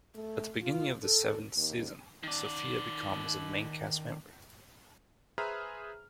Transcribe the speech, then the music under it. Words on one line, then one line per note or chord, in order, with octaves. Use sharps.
At the beginning of the seventh season, Sofia becomes a main cast member.
A3
F4
A4
D#2
D#3 D5
G#4 B4 C5 E5 A#5 F6